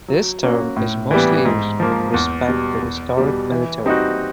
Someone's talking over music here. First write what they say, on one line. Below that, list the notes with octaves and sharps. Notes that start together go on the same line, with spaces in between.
This term is mostly used with respect to historic militaries.
F#3
A#3 C#4 F#4
A2
E3 G3 B3
G#2
F3 A#3
E2
B2 G3
E2
B2 G3
E3
G3 C4 D#4 F#4